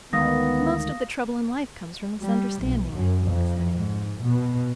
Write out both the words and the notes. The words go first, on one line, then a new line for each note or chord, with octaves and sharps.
"Most of the trouble in life comes from misunderstanding, I think," said Anne.
D2 D#3 G#3 B3 F5 D#6 A#6
G3
B1
F#2
F2
G#2
B2